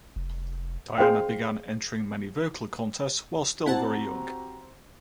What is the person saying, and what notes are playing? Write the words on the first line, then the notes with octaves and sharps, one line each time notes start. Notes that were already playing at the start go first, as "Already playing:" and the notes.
Diana began entering many vocal contests while still very young.
F1
G#4 C5 F5 G5
C4 E4 F#4 G4 C5 F#5 A5 A#5